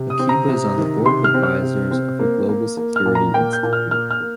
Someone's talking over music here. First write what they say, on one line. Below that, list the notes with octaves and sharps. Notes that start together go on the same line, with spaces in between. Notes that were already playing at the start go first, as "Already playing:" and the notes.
Akiba is on the Board of Advisors of the Global Security Institute.
Already playing: C3
D#6
C4
A#5
C3
D#3
C3 C6
F6
C4
F6
C3
C4
A#3
A#3
A#3
F6
A#2
A#5
A#3 G5
G6
A#2
F6
A#3 F6
F6
A#3